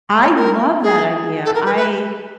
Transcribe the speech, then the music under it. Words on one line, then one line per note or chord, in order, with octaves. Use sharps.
I love that idea, I
C#5
A#4
G#4
A4
A#4
B4
B4